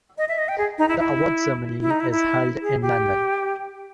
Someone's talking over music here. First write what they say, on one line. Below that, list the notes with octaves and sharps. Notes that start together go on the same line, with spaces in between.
The award ceremony is held in London.
D#5
E5
D#5
G5
G#4
D#4
E4
E4
E4
D#4
E4
E4
G#4
G4